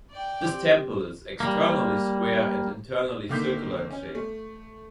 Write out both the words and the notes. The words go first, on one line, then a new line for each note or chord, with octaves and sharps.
This temple is externally square and internally circular in shape.
D5 G5
C4 G4
G3 A#3
D3 D#3 A#3 D6 G6 B6
C#4
A3